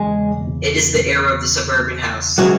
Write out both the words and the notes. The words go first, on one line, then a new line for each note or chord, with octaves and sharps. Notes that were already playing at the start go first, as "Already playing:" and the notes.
It is the era of the "suburban house".
Already playing: E2 C#3 G#3 G#4
C#3 E3 F#3 G#3 F#4